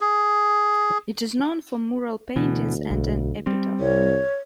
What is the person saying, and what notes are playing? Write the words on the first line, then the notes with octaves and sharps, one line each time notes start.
It is known for mural paintings and an epitaph.
G#4
D2 B2 E3
B1
G3 C4
C2 C#5